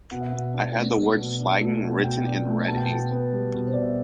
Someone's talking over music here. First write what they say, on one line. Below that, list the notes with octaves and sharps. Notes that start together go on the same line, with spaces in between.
I had the word "flagging" written in red ink.
B2 F#5
E5
B2 F#5
D4
A3
B2
B2
D4
A3
B2
B2 G5
D4
A3
B2 A5
G5
B2 A5
B3
G3
B2
C5
B2 D5
E5